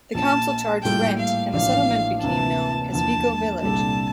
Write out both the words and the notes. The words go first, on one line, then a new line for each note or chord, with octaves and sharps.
The council charged rent and the settlement became known as Vigo Village.
A#1 A#2 F3 A5
A2 G3 A#3 F4 A4 G5
F5
A1 A2 F3 A#3 D4 F5
D2 C3 E3 A#3 E4 A5
E2 D3 F3 A#3 A5
C2 A#2 G3 D4 A4 A5